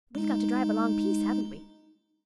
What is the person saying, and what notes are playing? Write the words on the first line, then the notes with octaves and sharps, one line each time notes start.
We've got to drive a long piece, haven't we?
G#3 D#4